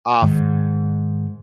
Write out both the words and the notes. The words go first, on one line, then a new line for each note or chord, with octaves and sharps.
uh, f f
G#2 D#3